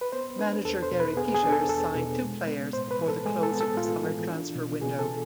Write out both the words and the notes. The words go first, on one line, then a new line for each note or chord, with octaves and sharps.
Manager Gary Peters signed two players before the close of the summer transfer window.
B4
B3 C5
D4 B4
E2 A4
C5
B2
B4
B3 G#4
G#4
D4
A4
E2 A4
B2
G#3
B3
A2 C5
B4
E3
A4
G#3 G#4
A4
B3
A4
A2 F4
E3
D4
B2
B2 G#4
A4
B3